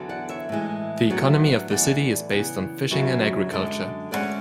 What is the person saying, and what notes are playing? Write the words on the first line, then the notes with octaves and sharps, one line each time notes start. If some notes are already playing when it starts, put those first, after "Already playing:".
The economy of the city is based on fishing and agriculture.
Already playing: E2 D3 F#3 B3
D5 F#5
C#5 E5
A2 E3 G#3
A2 F#3 B3 D4
A2 E3 B3 D4 D5 F#5
C#3 E3 B3
F#2 C#3 F#3 B3 D4
F#2 D3 G#3
D2 D3 G#3 C#4 D5 F#5